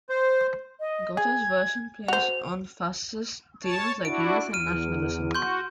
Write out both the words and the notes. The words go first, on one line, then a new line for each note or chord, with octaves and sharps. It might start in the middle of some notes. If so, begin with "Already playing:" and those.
Gotta's version plays on fascist themes like youth and nationalism.
C5
D#5
G#4 G#6
F#4 C5 F7
C#5 A5
D4 E4 F#4 D7
E2 F6 D#7
F#4 C6 C#6 G6